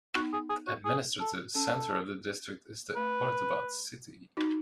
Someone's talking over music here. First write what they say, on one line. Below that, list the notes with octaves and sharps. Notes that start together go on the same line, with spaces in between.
The administrative centre of the district is the Ordubad city.
B3 D#4 F#4
G#4
G#4
F#4
G#4
A4
C#4 A4
A3 B4
D#4 F#4